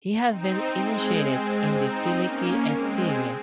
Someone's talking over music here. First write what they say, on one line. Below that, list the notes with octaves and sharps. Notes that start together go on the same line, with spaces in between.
He had been initiated in the Filiki Eteria.
C4 D#4
G#3 C4
G#3 C4
C4 D#4
A#3 C#4
G#3 C4